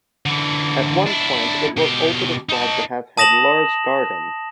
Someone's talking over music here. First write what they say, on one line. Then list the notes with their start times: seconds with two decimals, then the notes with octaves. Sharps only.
At one point it was also described to have had large gardens.
0.26 D3 E3
1.07 D4 E4
1.77 B2 G4
2.49 D#4 A5
3.18 A5 D#6 A#6 E7 F#7